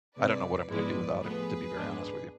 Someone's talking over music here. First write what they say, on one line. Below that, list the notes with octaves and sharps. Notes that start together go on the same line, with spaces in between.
I don't know what I'm gonna do without him, to be very honest with you.
C3 G#3 C4 E4 B4 D5
G#2 F3 G#3 B3 E4 B4 D5
A2 F3 B3 G#4 B4
G#2 G#3 B3 D4